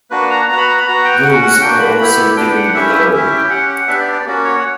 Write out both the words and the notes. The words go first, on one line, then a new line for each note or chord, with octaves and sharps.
Those are also given below.
A#3 D4 F#4 B4
A#5
B3 F#4 A#5
B5
A#5
B5
B3 F#4 A#5
G5
C#4 F#4 F#5
F#5
A#3 D4 F#4 G5
B5
B3 E4 G4 B5
B3 D4 G4 G5
F#5
C#4 E4 G4 E5
E5
C#4 E4 G4 E5
E5
G5
C#4 G4 F#5
F#5
B3 D4 G4 E5
D5
D5
A#3 C#4 F#4
C#5
F#5